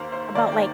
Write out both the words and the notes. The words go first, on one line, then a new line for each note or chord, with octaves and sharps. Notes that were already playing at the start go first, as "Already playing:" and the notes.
about, like,
Already playing: D#2 D#3 A#3 C5
C5
D#2 D#3 A#3 D5
G5